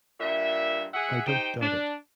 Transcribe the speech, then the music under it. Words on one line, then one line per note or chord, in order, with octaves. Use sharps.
I don’t doubt it.
G2 A#2 E5
G#4 E5 F#5
D#4 G4 C5 G5
D4